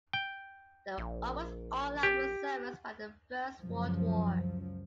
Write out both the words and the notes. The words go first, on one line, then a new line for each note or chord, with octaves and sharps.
They were almost all out of service by the First World War.
G5
A#1
G4
C#2 F#2 F3